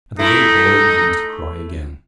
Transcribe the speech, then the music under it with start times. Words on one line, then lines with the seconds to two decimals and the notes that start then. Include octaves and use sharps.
And the little boy began to cry again.
0.19 A3 D#4 E4